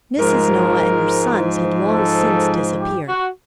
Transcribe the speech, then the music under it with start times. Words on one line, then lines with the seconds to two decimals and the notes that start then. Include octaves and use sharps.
Mrs. Noah and her sons had long since disappeared.
0.18 G#2 F3 G#3 A#4
1.91 A4
2.78 G4
3.08 F#4